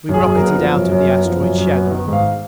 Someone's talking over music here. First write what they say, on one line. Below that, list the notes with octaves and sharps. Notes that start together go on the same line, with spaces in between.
We rocketed out of the asteroid's shadow.
F#2 G#4
F#2
G#4
A#4
B3
F3
F#2
F#2
B3
F3
F#2
F#2
B3
D#3
G#2
F5